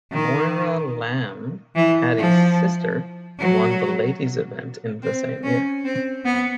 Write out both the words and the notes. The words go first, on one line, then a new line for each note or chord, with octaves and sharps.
Moira Lambe, Paddy's sister, won the ladies' event in the same year.
D#3
E3
F3
F#3
C4
C#4
C4
B3